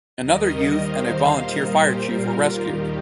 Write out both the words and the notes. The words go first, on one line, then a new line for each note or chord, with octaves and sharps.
Another youth and a volunteer fire chief were rescued.
D#2 D#3 G3 A#4 D#5
C5 F5
A#2 G3 A#4 D#5
G4 C5
F4 A#4
D#2 D#3 G3 D#4 G4